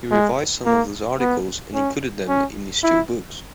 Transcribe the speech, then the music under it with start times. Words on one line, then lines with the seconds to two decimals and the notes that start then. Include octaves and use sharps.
He revised some of those articles and included them in his two books.
0.11 G#3
0.66 A#3
1.20 B3
1.74 C#4
2.28 C#4
2.84 E4